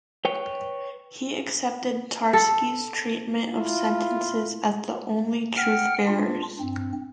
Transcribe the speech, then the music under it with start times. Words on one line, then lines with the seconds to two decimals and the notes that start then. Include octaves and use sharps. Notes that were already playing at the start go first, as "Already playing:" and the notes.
He accepted Tarski's treatment of sentences as the only truth-bearers.
0.25 B4 C#5 G5
2.33 A4
3.52 E4 F4
5.56 F#5 G5 F6
6.07 D4 F4
6.60 G2 C4